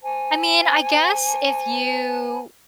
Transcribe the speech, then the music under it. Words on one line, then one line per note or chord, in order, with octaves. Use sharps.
I mean, I guess if you
C5 G#5 A5